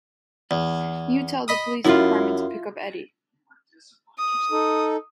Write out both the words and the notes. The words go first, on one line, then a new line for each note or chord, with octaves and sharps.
You tell the police department to pick up Eddie.
E2
D#5 B5 D#6
F#2 E4 F4
D#6
D#4 A4